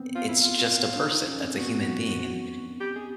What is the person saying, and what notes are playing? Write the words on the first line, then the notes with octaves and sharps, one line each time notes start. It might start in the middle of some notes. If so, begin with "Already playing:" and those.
it's just a person, that's a human being. And
Already playing: B3 C4
F4
E4
F4
D4
D#4
C#4
C4
B3 F#4
G4
G#4